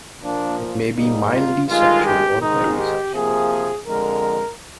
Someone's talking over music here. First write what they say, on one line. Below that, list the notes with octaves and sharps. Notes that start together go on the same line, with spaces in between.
It may be mildly sexual, or very sexual.
A#2 F3 A#3 D4
G#2 G3 A#3 D#4
F4
G2 D#3 G#3 F4
G4
G#2 D#3 G#3 D#4
G4
C3 F3 A#3 G#4
F2 D3 G#3 A#4